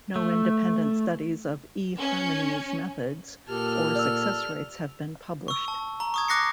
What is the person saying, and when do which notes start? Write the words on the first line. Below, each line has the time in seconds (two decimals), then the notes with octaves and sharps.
No independent studies of eHarmony's methods or success rates have been published.
0.16 A3
2.00 C#4
3.49 A#2 G4 A4 F6
3.95 D5 E6
5.48 C#6 E6
5.68 A5
6.00 A#5
6.14 C#6 D#6 G#6
6.28 D6 F#6 A#6 C7 C#7